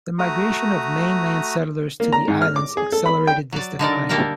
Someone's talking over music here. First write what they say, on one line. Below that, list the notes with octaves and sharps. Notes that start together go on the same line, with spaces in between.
The migration of mainland settlers to the islands accelerated this decline.
A3 F#4 A#5 D#6
A#3
A#5
G#2
F6
D6
G#4
A4
B5
G5
F#3 D5
D3 D#4 A#4 D5
G3 A#3 A4 A#4 F5 G5